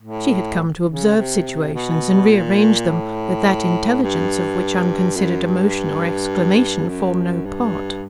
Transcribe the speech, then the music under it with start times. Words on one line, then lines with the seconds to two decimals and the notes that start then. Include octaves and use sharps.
She had come to observe situations and rearrange them with that intelligence of which unconsidered emotion or exclamation form no part.
0.02 A2
0.88 C#3
1.17 C3
1.74 B2
2.31 A#2
2.89 A2
4.03 G2
5.17 F#2
5.45 G2
6.89 F#2
7.46 G2